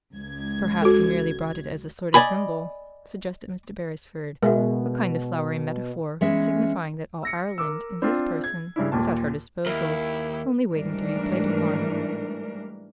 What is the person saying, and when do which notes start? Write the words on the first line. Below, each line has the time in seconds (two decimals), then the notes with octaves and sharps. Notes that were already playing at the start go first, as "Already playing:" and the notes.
"Perhaps he merely brought it as a sort of symbol," suggested Mr. Beresford; "a kind of flowery metaphor signifying that all Ireland, in his person, is at her disposal, only waiting to be played upon."
0.13 C#2 G#6
0.82 F#4 A4
2.14 D5 D#5 G#5 B5
4.43 B2 G#3 A#4 E5 F5
6.21 E3 G#3 B3 C#4 E5
7.23 E6 A#6 C#7
7.58 A#4 D6 E6
8.02 C4 D4 F4
8.44 G#6
8.76 G2 C#3 D4 E4
8.92 D#2 A#2 A5
9.66 D#2 E4 A#4
10.73 G#2 E3 G3 A3 D4 A#4